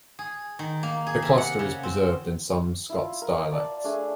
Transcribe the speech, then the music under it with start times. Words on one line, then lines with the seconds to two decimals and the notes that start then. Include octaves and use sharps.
The cluster is preserved in some Scots dialects.
0.19 G#4
0.59 D#3
0.83 A#3
1.07 G#4
1.22 C3
1.38 F#5
1.59 C#3
1.83 C4
2.89 E4 F4
3.22 A#4
3.52 D5 A5
3.84 A3 D4 G#4